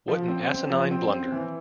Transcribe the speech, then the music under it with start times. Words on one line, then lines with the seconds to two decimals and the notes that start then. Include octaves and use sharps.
What an asinine blunder!
0.08 F3
0.28 C4
0.49 C4
0.70 F3
0.91 C4
1.11 C4
1.32 E3